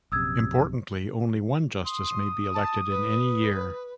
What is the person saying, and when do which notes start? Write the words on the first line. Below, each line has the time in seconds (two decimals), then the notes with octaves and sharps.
Importantly, only one justice may be elected in any year.
0.12 A#1 F#2 C3 D#6 E6 G#6
1.85 C6 D#6
2.54 A5
2.90 B4